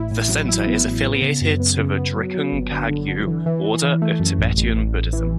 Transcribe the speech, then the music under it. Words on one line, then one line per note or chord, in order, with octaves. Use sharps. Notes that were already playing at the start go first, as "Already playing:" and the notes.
The Center is affiliated to the Drikung Kagyu order of Tibetan Buddhism.
Already playing: A1 E4
A2
F#3
E4
B3
A2
B3
C#3
F#2
B3
C#3
B3
F#3
F#3
G1
D3
D3
D3
E3
E3
E3
E3
A3
F#2
A1
A1
A1
A1
E3